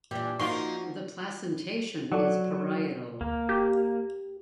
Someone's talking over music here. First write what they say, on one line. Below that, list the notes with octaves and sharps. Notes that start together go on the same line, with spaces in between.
The placentation is parietal.
A#2 E3 D4 G4 G6
F3 A#3 D#4 F#4 C6 C#6
F#3 A4 D5 F#5
D2 A#3
G4